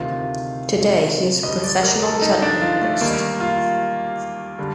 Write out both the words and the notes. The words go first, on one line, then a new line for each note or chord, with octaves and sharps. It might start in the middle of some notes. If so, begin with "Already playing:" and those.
Today he is a professional chutney artist.
Already playing: D2 C3 D#3 F4
D2 D3 G3 D#5
D5
A#4
A4
D#4
D4
F4
A3
D#2 D#3 G3 A#3
F4
D3 G3